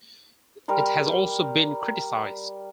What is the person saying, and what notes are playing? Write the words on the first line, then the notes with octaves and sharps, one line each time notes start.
It has also been criticised.
G3 A#4 C6